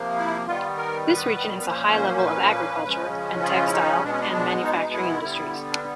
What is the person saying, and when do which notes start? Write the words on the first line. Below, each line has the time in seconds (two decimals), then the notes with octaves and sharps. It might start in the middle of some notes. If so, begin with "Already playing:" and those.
This region has a high level of agriculture and, textile and manufacturing industries.
Already playing: C3 F3 A#3
0.17 E4
0.46 D#3 G3 B3 F4
0.77 A#4
1.06 B4
1.61 B4
1.65 A#2 F3 A#3 C#4 C5
1.91 C#5
1.96 C5
2.16 C5
2.25 B4
2.84 C#3 F3 G#3 C#4
3.43 F4
3.66 E4
3.73 D#4
4.03 B2 G#3 B3 D4
4.12 C#4
4.19 D4
4.32 D4
4.62 D#4
4.71 D4
4.79 D#4
4.93 E4
5.22 D3 G3 B3
5.71 D4